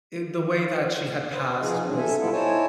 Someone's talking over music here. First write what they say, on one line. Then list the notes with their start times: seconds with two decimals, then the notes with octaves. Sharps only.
it the way that she had passed was
1.33 B4 C5
1.62 F3 D#4 F4 G#4
1.85 A#2 D3 E3 F#3 C4 D4
1.97 A4 E5 G#5
2.18 G3 B3 E4 F4 A4
2.32 D#4 E4 C5 C#5 G#5 A5